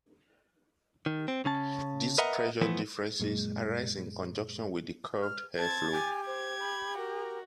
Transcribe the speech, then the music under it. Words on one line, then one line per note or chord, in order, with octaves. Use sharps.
These pressure differences arise in conjunction with the curved air flow.
D#3
C4
C#3 C#4 A5
A#4 B4 D#5 E5 F#5 A#5
E3 F3 A3 B3 E4
F#2 A#2 G#3
F6
C4 A5 G#6 A6
G4 G#5
C5 G#6
B5
F#4 A#4